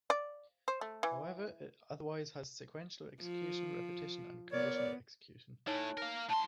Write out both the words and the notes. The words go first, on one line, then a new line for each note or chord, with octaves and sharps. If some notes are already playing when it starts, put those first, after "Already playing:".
However, it otherwise has sequential execution, repetition, and conditional-execution.
D5
C5
A3
E3
F3
B3 A#4 C#5 D5
A3 D#4 E4 C#5 A5
A#4 F5 A#6
A2 A5 C6